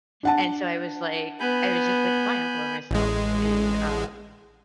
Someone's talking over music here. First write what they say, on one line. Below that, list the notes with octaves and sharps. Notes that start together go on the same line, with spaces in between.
and so I was, like I was just, like, "Fine. I'll go by myself," and, um,
D4 F#5 A5
B3 G#5 B5 G6
A1 G#3